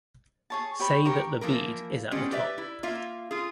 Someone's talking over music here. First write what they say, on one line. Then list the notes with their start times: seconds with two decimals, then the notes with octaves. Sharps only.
Say that the bead is at the top.
0.50 G#4 C#5 A5
0.80 G4 C#5 B5
1.05 G4 A#4 C#6
1.41 E3 F3 A#3 A#4
2.11 G#3 B3 C#4 D4 F4 G4
2.32 G4 B4 D5 E5
2.58 E4
2.83 A#3 F4 E5 F5
3.31 F4 G#4